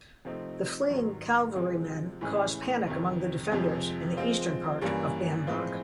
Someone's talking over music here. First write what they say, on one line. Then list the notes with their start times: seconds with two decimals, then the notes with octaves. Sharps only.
The fleeing cavalrymen caused panic among the defenders in the eastern part of Bamberg.
0.25 C3 F3 A3 C4 D#4
0.90 G#2 D#3 F#3
1.56 C3 F3 G#3
2.21 A2 E3 G#3 C#4
2.87 F2 C3 D#3
3.51 F2 C3 F3 G#3
4.17 F3 G#3 C4 F4
4.81 G2 E3 G3 A#3 C#4
5.47 A2 F3 G#3 C4 F4